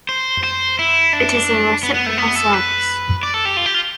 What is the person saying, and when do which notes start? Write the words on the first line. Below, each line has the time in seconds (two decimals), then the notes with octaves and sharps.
It is a reciprocal service.
0.09 C5
0.43 C5
0.79 E4
1.13 D4
1.83 B3
1.94 B3
2.06 A3
2.18 B3
2.36 A4
2.53 B4
3.23 D5
3.34 A4
3.45 G4
3.57 F4
3.66 G4
3.74 F4